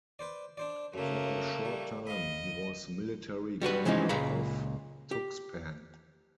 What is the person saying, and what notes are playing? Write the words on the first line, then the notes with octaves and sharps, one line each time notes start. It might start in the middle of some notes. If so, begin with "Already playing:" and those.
For a short time, he was Military Governor of Tuxpan.
B4 C5 D5
D4 C5 D5
F#2 C#3 A3 A#3
G3
D#5 F5 B5
G3 F#4 A#4 B4
E3 F3 G#3 C#4 D#4
C#2 A#2 C#3 F5 A#5 B5
G4